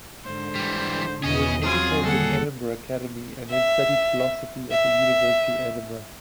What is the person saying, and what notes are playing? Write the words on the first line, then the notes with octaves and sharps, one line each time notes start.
He was educated at Edinburgh Academy then studied philosophy at the University of Edinburgh.
G#2 D3 C5
E3 G3
E2 B2 D#3 E3 C#4 G#4 D#5
F#2 F#3 C4 F4 G#4 G#5
A#2 D3 D#3 G3 A4 F#5
E5
E5